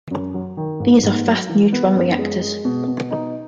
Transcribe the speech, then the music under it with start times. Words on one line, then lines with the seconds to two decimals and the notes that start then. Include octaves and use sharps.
These are fast-neutron reactors.
0.11 F#2
0.34 F#3
0.57 D#3
0.80 G#2
1.03 G#2
1.26 F#3
1.49 E3
1.73 B3
1.96 F#2
2.19 G#3
2.41 G#3
2.65 B2
2.88 B2
3.11 D#4